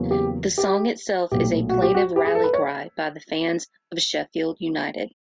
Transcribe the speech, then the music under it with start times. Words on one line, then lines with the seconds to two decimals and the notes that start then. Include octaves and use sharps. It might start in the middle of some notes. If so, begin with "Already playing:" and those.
The song itself is a plaintive rally-cry by the fans of Sheffield United.
Already playing: E2 C#3 F#3 A#3
0.11 G4
0.58 G4
1.32 B1 A#2 F#3 A3 G4
1.69 F#4
1.82 G4
1.94 F#4
2.16 G4
2.25 G#4
2.35 A4
2.44 B4
2.53 C#5